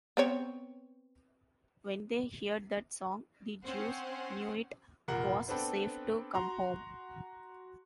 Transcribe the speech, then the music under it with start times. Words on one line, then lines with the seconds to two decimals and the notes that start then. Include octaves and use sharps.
When they heard that song, the Jews knew it was safe to come home.
0.17 B3 C4 C#5
3.64 C4 C#4 C5 F#5
5.08 F1 A#2 A#4 F#5
5.48 B3 C4 D4 A4 B4 G5
6.34 F#4 A#5 C6